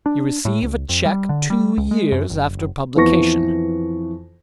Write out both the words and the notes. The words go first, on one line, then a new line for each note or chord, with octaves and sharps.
You receive a cheque two years after publication.
D4
A2
C#2
F2
G3
D3
G3
C#2
G#3
F#2
F#1
F#1
F2 E3 B3 C#6 A#6